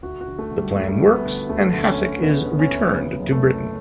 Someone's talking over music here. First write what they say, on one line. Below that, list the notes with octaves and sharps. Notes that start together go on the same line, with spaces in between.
The plan works, and Hasek is "returned" to Britain.
D2 F#4
F#4
D3
A3
D3
G3
D2 A3
G3
D2 A3
B3
D3
D2 A3
D3
C#4
D2
D3 B3
D3
B3
C#4
D2
C#3 B3
F#1
A3
F#1